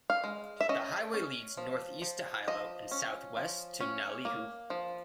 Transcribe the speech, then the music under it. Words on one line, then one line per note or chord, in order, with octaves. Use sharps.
The highway leads northeast to Hilo and southwest to Naalehu.
F5
G#3
E5
C#4 D#5
C#4
F3
F3
F3 D#5
C#4
F3
C#4
A#3
F3